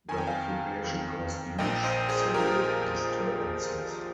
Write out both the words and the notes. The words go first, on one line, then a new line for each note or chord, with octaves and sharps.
The occupation caused huge civil disturbances.
F2 D#3 G#5
G5
F5 G#5
F2 D#3
A#1 A#2 F3 D#5 G5
C5 D#5
G#4 C5
A#2 F3 G4 A#4